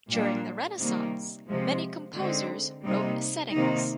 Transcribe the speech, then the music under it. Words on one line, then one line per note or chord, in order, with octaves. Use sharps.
During the Renaissance many composers wrote settings.
A#2 G3 A#3 D4
C3 D#3 G3 A#3
C3 F3 G#3
D3 G#3 C4 D#4
C3 G3 A#3 D#4
C3 D#3 A#3 D#4